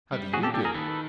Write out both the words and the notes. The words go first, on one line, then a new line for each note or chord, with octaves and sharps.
"How do you do?"
G3
A#2 F#4 G#4
G4 A4
A#3 G4 A4
G#4 A#4
D#3 A4 B4